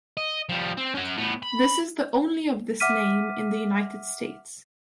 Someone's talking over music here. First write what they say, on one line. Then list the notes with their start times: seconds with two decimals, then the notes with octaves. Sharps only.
This is the only of this name in the United States.
0.17 D#5
0.49 F3 G3
0.77 C4
0.95 C#4 F#4
1.17 A2 B3
1.43 B5
2.80 E5 F#5 D6 F6 B6 D#7